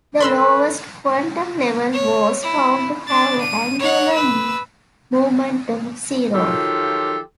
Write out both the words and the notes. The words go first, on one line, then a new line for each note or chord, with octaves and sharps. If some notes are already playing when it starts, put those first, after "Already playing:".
The lowest quantum level was found to have an angular momentum of zero.
A4 B4 B5 C6 E6
C#5
E4
D4 A6
D#7
C#5 F#5
B4 E6
D#3 F3 F#3 F4 G4 A4